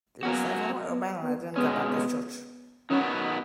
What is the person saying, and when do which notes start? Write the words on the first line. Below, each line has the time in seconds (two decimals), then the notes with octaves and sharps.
There are several urban legends about this church.
0.23 F#3 A#3 B3 C#4 F#4
0.90 B3
1.23 B3
1.56 B2 G#3 B3 C#4
1.90 B3
2.90 D#3 F#3 B3 C#4 F#4